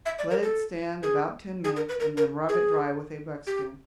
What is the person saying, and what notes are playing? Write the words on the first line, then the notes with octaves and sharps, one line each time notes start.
Let it stand about ten minutes, and then rub it dry with a buckskin.
E5
D5
A#4
A4
G#4
G#4
A#4
B4
A#4
A#4
G#4
G4